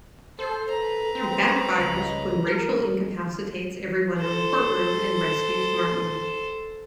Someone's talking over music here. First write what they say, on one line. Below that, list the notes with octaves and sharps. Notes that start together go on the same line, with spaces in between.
It backfires when Rachel incapacitates everyone in the courtroom and rescues Martin.
A4 C5
B4 A#5
C4
C#2
A#4
A4 C5